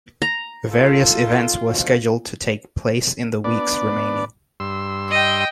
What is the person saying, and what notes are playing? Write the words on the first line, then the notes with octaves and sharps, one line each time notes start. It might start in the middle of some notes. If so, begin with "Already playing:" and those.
Various events were scheduled to take place in the weeks remaining.
A#5
D#4 F4 A4
D2 B2 F3
B3 D4 D5
G2 C6 E6
D#5 G5